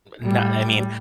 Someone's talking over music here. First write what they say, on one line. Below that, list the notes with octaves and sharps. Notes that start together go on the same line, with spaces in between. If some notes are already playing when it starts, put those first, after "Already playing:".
n I mean,
A2 G3